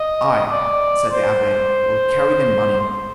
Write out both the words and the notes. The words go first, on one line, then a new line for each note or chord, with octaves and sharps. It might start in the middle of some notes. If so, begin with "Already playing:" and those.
"I," said the abbe, "will carry the money."
Already playing: D#5
D5
C5